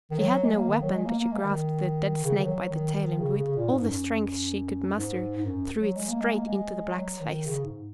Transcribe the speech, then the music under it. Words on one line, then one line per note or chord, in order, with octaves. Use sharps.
She had no weapon, but she grasped the dead snake by the tail and with all the strength she could muster threw it straight into the Black's face.
D#3
F#3
G#3
A#3
D#3
F#3
G#3
A#3
A#3
G#3
D#3
C#3
D#3
F#3
D#3
D#3
C#3
C#3
A#2
G#2
F#2
G#2
G#2
F#2
F#3
G#3
A#3
G#3
A#3
G#3
F#3
D#3
C#3
G#2